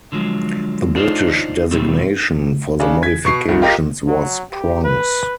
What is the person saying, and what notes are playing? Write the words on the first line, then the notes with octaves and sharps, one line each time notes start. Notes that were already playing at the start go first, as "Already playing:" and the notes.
The British designation for the modifications was Prongs.
D3 F3 F#3 G#3
D4 D#4 F4 C5 C#5 D#5
B2 D#3 F#3 G3 A3 C4
C#3 D4
G#6 B6
B2 C#6 C7
C2 D#3
F4 G4 A#4 D#5
F#3
G4
B4